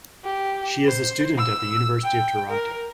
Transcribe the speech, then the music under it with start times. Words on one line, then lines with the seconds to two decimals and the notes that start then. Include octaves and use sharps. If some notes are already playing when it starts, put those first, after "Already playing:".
She is a student at the University of Toronto.
0.24 G4
0.86 C5
1.38 E6
2.04 G5
2.50 A#4